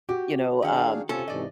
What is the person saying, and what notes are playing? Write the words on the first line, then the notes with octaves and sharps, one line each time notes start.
you know, um,
F#4 G4
D#3 D4 G#4 F5 F#5
C3 C4 C#4 F4 A4
G#2 C3 E3 D5 D#5